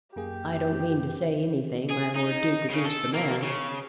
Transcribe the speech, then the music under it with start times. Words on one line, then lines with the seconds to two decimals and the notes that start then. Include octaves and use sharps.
I don't mean to say anything, my Lord Duke, against the man.
0.16 F#2 A#3 G4 G#4
1.90 G#4
2.16 D#4
2.70 C#3
2.85 A4
3.14 A#3
3.42 C#3